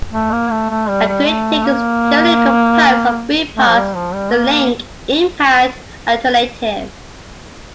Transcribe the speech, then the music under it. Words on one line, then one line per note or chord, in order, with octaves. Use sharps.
A kritik is generally composed of three parts, the link, impact, and alternative.
A3
A#3
A3
A3
G3
G3
A3
A#3
A3
F3
G3
F3
G3
A#3